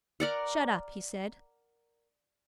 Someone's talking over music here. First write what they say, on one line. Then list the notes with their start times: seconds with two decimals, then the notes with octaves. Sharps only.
"Shut up," he said.
0.20 A#4 D5 F#5